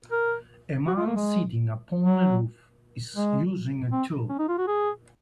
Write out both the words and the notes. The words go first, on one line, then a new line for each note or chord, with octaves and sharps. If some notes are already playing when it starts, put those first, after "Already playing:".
A man sitting upon a roof is using a tool.
A#4
F#4
F4
A#3
G#3
F#3
G#3
C4
C#4
D#4
F4
F#4
G#4